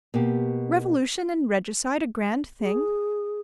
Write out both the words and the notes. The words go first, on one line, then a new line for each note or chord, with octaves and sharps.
Revolution and regicide a grand thing?...
B2 A#3 G4
G#4